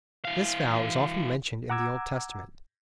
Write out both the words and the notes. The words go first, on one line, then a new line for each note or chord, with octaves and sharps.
This vow is often mentioned in the Old Testament.
E3 F5
F#5 A#5 D6 E6 G#6